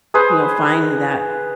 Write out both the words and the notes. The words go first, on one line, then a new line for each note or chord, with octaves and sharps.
you know, finding that
G#4 B4 C5